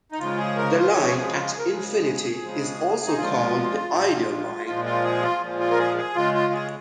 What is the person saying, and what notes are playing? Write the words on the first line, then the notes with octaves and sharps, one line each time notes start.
The line at infinity is also called the ideal line.
D#4
C#3 F3 G#3 F4
G#4
A#4
F4
C#3 F3 G#3 C#5
G#4
F4
G#4
A#4
C#3 F3 G#3 G#4
C#3 F3 G#3
D#4
A#2 F3 G#3 F4
A#2 F3 G#3
A#2 F3 G#3 F4
F4
G#4
F4
A#2 F3 G#3
F4
A#4
G#4
G#4
C#3 G#3 F4
F4
G#4